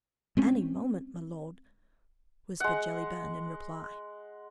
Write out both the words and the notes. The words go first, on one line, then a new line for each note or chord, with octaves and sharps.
"Any moment, my lord," whispered Jellyband in reply.
G#3 C4 C#4
G#3 F#5